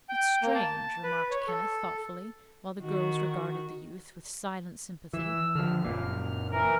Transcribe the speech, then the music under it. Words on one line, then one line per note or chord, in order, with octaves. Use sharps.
"It's strange," remarked Kenneth, thoughtfully, while the girls regarded the youth with silent sympathy.
G5
A#3
A5
B4
C#5
A4
D#3 F#4
E3 E6
D3 F3 F6
F#1 A#2
E3 A#4